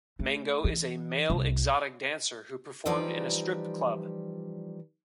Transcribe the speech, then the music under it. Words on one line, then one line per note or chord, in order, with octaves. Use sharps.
Mango is a male exotic dancer who performed in a strip club.
A3
E3
C2
E3 F3 G3 D#4 D5